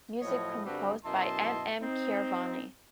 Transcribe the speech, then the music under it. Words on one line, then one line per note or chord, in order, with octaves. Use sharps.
Music composed by M. M. Keeravani.
A2 F3 F#3 C#5 D#5
G2 D3 G3 C4 F#4 B4
F#2 B2 E4 D#5 A5 C6
C4 D#4